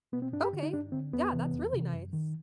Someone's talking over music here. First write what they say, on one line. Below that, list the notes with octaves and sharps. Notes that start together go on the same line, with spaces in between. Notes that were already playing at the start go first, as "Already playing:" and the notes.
Okay. Yeah, that's really nice.
B2 B3
C4
G2 D4
G4
D3
D#4
G2 D4
D3 C4
E2 B3
C3 E3
E2
C3 E3
F#2
D#3